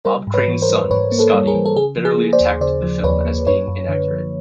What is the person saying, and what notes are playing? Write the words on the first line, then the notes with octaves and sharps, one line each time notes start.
Bob Crane's son, Scotty, bitterly attacked the film as being inaccurate.
G3 A#4 C5
G#2
B4 C#5
E3
A#4 C5
G3
G#2 B4 C#5
A#3
A4 B4
G3
G#4 A#4
E3
A4
C#3 G#4
F3
G#4
A#3
C5 D5
D#2
C#3 C5 D5
F3
D#2 B4 C#5
A#3
F#2 B4 C#5
F#2
D3
F3